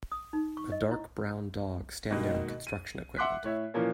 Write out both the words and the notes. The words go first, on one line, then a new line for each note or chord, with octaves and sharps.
A dark brown dog standing on construction equipment.
D#6
D#4
C#6
D#5
E4
G#2 B2 D#3 A#3 D#4 F#4
D#7
E5 F#5 C6 D6 F#6 B6
A2 C#5 E5
A#2 E3 F3 A#3 C#4